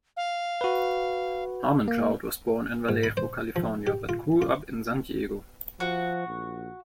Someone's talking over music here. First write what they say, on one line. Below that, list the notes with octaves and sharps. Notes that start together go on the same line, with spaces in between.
Armantrout was born in Vallejo, California, but grew up in San Diego.
F5
F#4 B4
A#3
G#2
B5
C5
F3
G4
F4
F4
F3 F#4
A#1